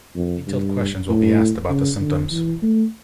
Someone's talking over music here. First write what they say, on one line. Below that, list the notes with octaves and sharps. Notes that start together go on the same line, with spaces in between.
Detailed questions will be asked about the symptoms.
F2
G2
A2
C#3
D3
E3
A3